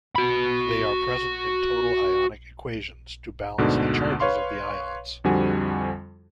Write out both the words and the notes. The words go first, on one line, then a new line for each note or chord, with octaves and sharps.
They are present in total ionic equations to balance the charges of the ions.
F#4 B5
D2 G#2 B2 D3 D4
B4 C#5 F5 C6
F2 D3 F3 G3 F#4 G#5